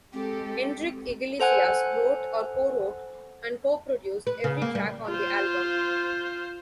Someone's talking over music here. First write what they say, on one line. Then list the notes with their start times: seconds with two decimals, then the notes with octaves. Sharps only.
Enrique Iglesias wrote or co-wrote and co-produced every track on the album.
0.13 G#3 C4 G4 A4
1.40 A4 C5 F#5 G#5 F#6
4.27 B4
4.44 C#3
4.62 A#3
4.75 G3
5.07 F4 C5